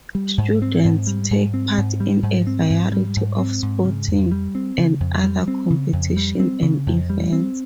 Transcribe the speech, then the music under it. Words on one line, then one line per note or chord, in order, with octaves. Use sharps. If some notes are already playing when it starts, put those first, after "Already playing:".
Students take part in a variety of sporting and other competitions and events.
G3
G#2
C4
G#2
G3
G#2
C4
G#2
G3
G#2
C4
G#2
G3
G#2
C4
G#2
C#3
F2
G3
C4
C#3
F2
G3
C4
C#3
F2
G3
C4
C#3
F2
G3
C4